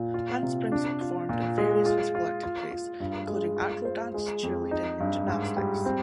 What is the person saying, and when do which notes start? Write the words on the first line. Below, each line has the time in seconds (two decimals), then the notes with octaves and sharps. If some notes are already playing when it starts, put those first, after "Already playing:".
Handsprings are performed in various physical activities, including acro dance, cheerleading and gymnastics.
Already playing: A#2
0.14 F4
0.43 C3
0.72 D4
1.01 F4
1.29 A#2
1.58 G#3
1.86 F4
2.15 F4
2.43 F4
2.71 F4
3.00 G2
3.28 G#3
3.57 F4
3.85 C5
4.14 G#3
4.43 F2
4.71 D#4
5.00 G2
5.28 G#2
5.57 G3
5.85 C4